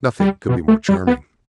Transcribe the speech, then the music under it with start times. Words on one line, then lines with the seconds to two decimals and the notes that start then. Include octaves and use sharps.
Nothing could be more charming.
0.20 G3
0.49 B2
0.68 A3
0.89 G3
1.07 B3